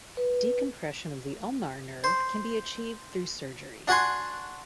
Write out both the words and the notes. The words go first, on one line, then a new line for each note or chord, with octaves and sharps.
Decompression of the ulnar nerve can be achieved through surgery.
B4
C5
D4 F#4 F#5 G#5 C6